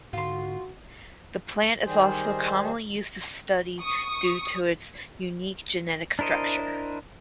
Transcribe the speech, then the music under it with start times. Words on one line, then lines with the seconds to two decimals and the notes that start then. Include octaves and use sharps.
The plant is also commonly used to study due to its unique genetic structure.
0.13 G#2 D3 F4 F#4 C6
1.85 D#3 G3 G#4 C5
3.81 C#6 D#6
6.19 D4 E4 A#4 C5 D#5